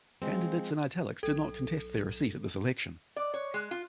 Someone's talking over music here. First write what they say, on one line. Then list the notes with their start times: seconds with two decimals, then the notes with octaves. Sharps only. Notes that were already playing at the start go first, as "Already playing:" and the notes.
Candidates in "italics" did not contest their seat at this election.
0.22 F3 G#3 C4
1.23 B1 A4
3.16 D5
3.34 C#5
3.54 G#3
3.71 F4